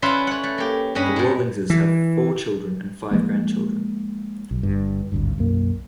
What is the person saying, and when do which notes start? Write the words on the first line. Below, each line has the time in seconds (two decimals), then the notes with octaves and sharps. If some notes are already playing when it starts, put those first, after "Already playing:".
The Rawlingses have four children and five grandchildren.
0.02 C#4 E4 F4 B4 E5 C6
0.27 C#5 F#5
0.43 A3
0.58 A#3 G4
0.95 G2 C#4 D#5 B5
1.16 A2 G#3
1.70 E3
3.11 F3 G#3 A#3
4.51 B1
4.63 G1 G2
5.12 G#1 D2 G2
5.38 B1 F#2 A#3